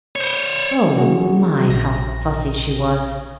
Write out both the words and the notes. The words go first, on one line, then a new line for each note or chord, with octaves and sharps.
Oh my, how fussy she was!
C5 C#5
F#3 A#3 C#4 F#4 G#4
A#1 A#6